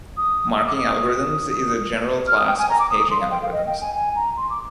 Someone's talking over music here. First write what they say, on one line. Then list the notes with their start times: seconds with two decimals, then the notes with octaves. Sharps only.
Marking algorithms is a general class of paging algorithms.
0.17 D#6
0.60 D#6
0.67 D6
0.75 D#6
2.28 F6
2.37 D#6
2.48 G5
2.59 G#5
2.69 A#5
2.79 D6
2.90 D#6
3.01 D#6
3.11 C6
3.21 F5
3.31 G5
3.42 F5
3.53 D#5
3.67 G5
3.81 G#5
3.95 G#5
4.16 A#5
4.37 C6
4.50 D6